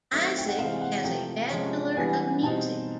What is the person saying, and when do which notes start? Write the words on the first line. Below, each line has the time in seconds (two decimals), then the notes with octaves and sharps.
Isaac has a Bachelor of music.
0.12 D#3 F#3 A3 C4 E5
0.38 G5
0.48 F#5
0.59 C3 E3 G#3 C4 F5
0.81 F#5
1.04 C3 F3 A3 G5
1.50 C3 F3 G#3 C#4
1.96 E3 G3 B3 D4 G#5
2.42 B2 G3 C4 D#4 A5